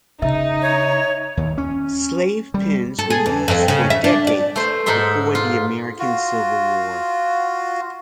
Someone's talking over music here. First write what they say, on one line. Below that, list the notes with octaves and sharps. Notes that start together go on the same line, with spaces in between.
Slave pens were used for decades before the American Civil War.
C#3 D#4 E5
C#5
D#2
C#4
G3
A4
G#4
E2
F2
C#3
E5
D4
D5
A3 C5
G#2 D#4 A4 E5 C6
F4
F4 F#4